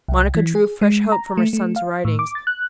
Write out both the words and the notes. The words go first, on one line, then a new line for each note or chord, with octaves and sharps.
Monica drew fresh hope from her son's writings.
C2
E3
G#4
G#3
A#5
A3
A3
F5
A2
D6
A6
F#6